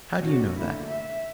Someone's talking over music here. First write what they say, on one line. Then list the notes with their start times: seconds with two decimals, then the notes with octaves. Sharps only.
How do you know that?'
0.19 A#2 D#3 C#4 D4 F#4
0.56 D3 A3 A#3 E4
0.88 E5